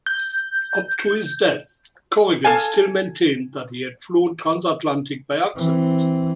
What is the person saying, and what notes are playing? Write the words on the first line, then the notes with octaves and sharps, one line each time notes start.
Up to his death, Corrigan still maintained that he had flown transatlantic by accident.
G6
A4 F5 G#5
E3 C4